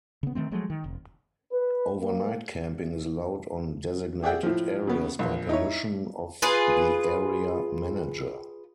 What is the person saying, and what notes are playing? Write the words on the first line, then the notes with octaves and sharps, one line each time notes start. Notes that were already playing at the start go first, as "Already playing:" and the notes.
Overnight camping is allowed on designated areas by permission of the area manager.
C#3 B3
D#3 F#3 A3 C4
F3 F#3 G#3 A3
D#3
F1
B4
A#3
G4 G#4 D5 E5 F#5 G5
A2 F3
C#3 B3
A#1
D#4 E4 C#5
F4 G#4 B4